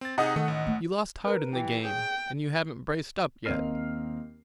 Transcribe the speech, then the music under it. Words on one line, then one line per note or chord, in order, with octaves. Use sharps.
You lost heart in the game, and you haven't braced up yet.
C4 A6
C3 D#4 G#4 D#5 F#5 D#6
D#3 A3
A1
A3
A#4 B4
E3 G4
G#4 C#5 G5
D#2 A#3 C4 D#5 F6 C7